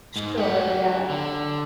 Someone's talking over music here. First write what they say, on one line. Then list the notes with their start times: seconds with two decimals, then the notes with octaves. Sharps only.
Sure, yeah.
0.16 G#2
0.37 G4 F#5
1.10 D3